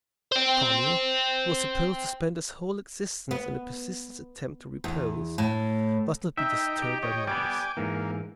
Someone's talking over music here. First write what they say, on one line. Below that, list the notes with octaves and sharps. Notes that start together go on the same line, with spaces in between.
"Tommy," who was supposed to spend his whole existence in a persistent attempt to repose, must not be disturbed by noise.
C5 G5
B3
E2
A2
D#4 E5 G5
G4
C#5 D#5 G5
G3 B3 G5 G#5 D6
G#2 E3 A#3